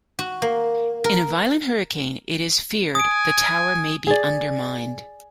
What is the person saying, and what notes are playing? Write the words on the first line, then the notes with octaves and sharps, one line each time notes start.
In a violent hurricane, it is feared, the tower may be undermined.
F#4
A#3
A#4
G#5 D#6 D7
G#4 D5